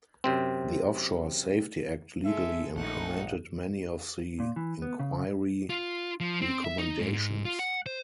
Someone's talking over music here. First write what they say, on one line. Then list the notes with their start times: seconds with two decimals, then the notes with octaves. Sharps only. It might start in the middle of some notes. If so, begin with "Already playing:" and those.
The Offshore Safety Act legally implemented many of the Inquiry recommendations.
0.24 F#2 C3 C4
2.25 G#3 A4 E5
2.76 A#1 A3 D#4 F#5
4.40 A#2
4.56 E3
4.82 B3
4.99 C#3
5.70 F4
6.20 F3
6.42 C4
6.64 E5
6.78 D#4
7.00 G#2
7.45 F4
7.59 F#5
7.86 C5